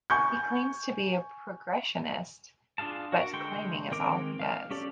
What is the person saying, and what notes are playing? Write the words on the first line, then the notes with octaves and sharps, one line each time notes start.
He claims to be a progressionist, but claiming is all he does.
G#5 C#6 G6
D4 F4 G#4 F5 A5
F#4 A#4
D3 G#3 G5 C6 C#6
D#3 G#3 C4 A#4 D6
F5 F6
C#4 G4 A4 D5